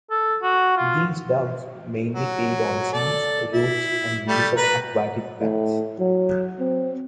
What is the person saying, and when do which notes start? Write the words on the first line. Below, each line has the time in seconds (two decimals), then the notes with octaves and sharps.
These ducks mainly feed on seeds, roots, and leaves of aquatic plants.
0.11 A4
0.42 F#4
0.77 F4
2.15 F#3
2.92 A4 D5
3.52 E4
4.28 G3 A3
4.57 B4 A#5
5.41 A2
5.99 F#3
6.59 C4